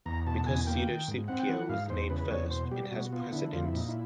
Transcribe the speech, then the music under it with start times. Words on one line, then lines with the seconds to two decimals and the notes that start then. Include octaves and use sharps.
Because Pseudosuchia was named first, it has precedence.
0.06 E2 A#5
0.27 B2 A5
0.46 E2 G#5
0.67 A#3 G5
0.87 D#3
1.08 G#2
1.28 C4 F#5
1.40 G5
1.49 E3 F#5
1.69 G#2 F5
1.90 E2 C5
2.10 C#3 B4
2.30 E2 C#5
2.51 B2 C5
2.71 G3 G4
2.91 B2 F#4
3.12 B3 F4
3.32 D3 E4
3.53 F2 F4
3.65 E4
3.73 A#2 D#4
3.88 E4